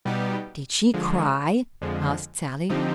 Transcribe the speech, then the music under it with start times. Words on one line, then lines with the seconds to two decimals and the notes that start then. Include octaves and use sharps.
"Did she cry?" asked Sallie.
0.05 B2 G3 B3 D#4 G4
0.94 D3 F3 G#3
1.82 F2 D3 F3 G#3
2.70 D3 F3 C4 D#4 G4